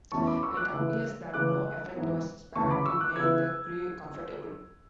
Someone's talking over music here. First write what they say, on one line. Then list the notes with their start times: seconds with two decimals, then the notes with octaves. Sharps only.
It appears that no effort was spared to make the crew comfortable.
0.12 E2 B2 A3 C#4 E4 A5 C#6
0.27 B5 D6
0.43 C#6 E6
0.57 D6 F#6
0.73 C#3 E3 A3 E4
1.34 C#3 E3 A3 D6 F#6
1.94 G#2 E3 B3
2.55 D2 C#3 E3 A3 C#4 A5 C#6
2.71 B5 D6
2.86 C#6 E6
3.00 D6 F#6
3.16 C#3 E3 B3 E4 E6 G#6